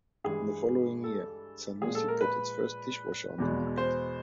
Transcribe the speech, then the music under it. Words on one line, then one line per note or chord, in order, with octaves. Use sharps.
In the following year, Zanussi put its first dishwasher on the market.
G2 E3 G#3 G#4
A4
A#2 F3 G#3 G#4
A4
A#4
B4
E2 B2 G#3
C5